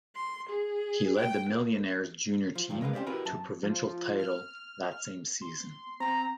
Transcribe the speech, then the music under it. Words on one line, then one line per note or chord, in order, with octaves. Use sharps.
He led the Millionaires' junior team to a provincial title that same season.
C6
G#4
G5
A#3
F3
G2 D#3 F3
G#3 A#4 B4 E5 F5
C4 C#4 F4 G4 C5 D5
E4 F#4 G4 A#4 B4
F#2 A5
F3
F6
C6
C4 A#5